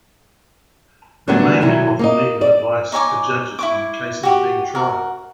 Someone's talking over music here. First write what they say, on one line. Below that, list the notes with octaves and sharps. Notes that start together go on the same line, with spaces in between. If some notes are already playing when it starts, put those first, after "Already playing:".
They mainly offer legal advice to judges on the cases being tried.
D3 F#3 G3 A3 B3 D4
B2 D#3 F#3 E4
A#3 D#4 D#5
D5
D#4 C#5 G#5 D6
E4 C#6 D6
F#4 G4
F#4 A#4